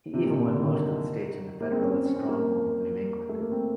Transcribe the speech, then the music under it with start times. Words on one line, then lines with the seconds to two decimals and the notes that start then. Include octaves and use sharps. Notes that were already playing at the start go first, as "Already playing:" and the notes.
He even won most of the states in the Federalist stronghold of New England.
0.14 C3
0.25 A#2
0.37 B2
0.48 D3
0.59 D#3
1.61 A#3
1.72 C4
1.82 C#4
1.94 C4
2.05 C#4
2.16 C4
2.29 A#3
3.29 A3
3.40 A#3
3.52 C4